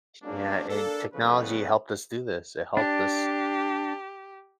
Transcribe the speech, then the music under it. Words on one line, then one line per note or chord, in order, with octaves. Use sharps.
Yeah, and technology helped us do this. It helped us
F#3 G#3 A#3 C#4 D4
A#3 D4 A4
C#3 F3 G3 B3 A4 B4
D4 G4